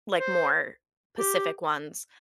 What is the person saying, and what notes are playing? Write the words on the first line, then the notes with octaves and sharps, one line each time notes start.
like, more Pacific ones,
C5
G4